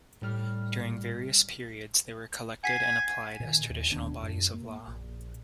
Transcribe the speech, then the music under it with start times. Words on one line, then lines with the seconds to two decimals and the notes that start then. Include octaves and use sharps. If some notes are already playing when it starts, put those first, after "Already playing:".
During various periods they were collected and applied as traditional bodies of law.
0.22 A2 G3 F6
2.64 F#5 G#5 B6 C7
3.40 A#2 D#3
3.70 D#2
3.90 E1 D#2 B3 D4
4.23 F#2
4.54 A#3
4.88 A#1